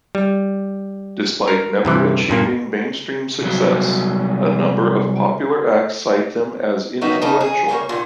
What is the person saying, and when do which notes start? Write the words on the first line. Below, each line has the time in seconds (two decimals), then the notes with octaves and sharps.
Despite never achieving mainstream success, a number of popular acts cite them as influential.
0.15 G3
1.48 A#4
1.85 G2 C3 E3
2.30 G2 A#2 A#3
3.42 C2 F#3
7.01 F#3 G3 A#3 B3 D#4 E5
7.22 E2 G2 C#3 A3 D#4 A5
7.41 G#4
7.69 E2 C#3 G3 A#3 C#5
7.89 A#2 D3 D#3